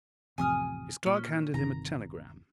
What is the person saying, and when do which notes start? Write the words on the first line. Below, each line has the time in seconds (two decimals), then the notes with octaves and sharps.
His clerk handed him a telegram.
0.38 A1 F2 C3 G#5 D#6 F6
1.06 A#2 C#4
1.54 G1 C3 D#3 A#5